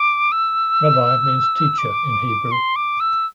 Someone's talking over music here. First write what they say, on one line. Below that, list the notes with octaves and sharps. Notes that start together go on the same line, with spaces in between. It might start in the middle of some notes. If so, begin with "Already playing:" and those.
Rabbi means teacher in Hebrew.
Already playing: D6
E6
D6
C6
D6
E6